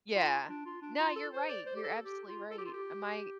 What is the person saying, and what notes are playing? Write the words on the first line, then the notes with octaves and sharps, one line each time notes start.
Yeah. No, you're right. You're absolutely right. My
F4
D4
F4
D4
F4
A4
C5
D5
C5
G4
A4
G4
F4
A4
G4
F4
G4